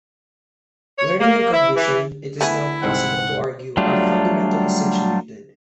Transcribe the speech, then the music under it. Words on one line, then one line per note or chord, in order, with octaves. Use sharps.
Learning and cognition, it is now possible to argue, are fundamentally situated.
C#5
A#3
E4
E3
A3 B3 E4 G#4
C2 G#2 C4 F#5
F#3 G3 A3 D4 F4